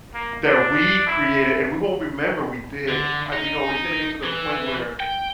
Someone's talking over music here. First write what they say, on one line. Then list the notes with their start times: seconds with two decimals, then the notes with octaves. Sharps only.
That we created and we won't remember we did, I you know, it's gonna get to the point where
0.14 A#3
0.45 D4
1.07 E4
2.88 D3
3.33 D#4
4.24 E3
5.00 G5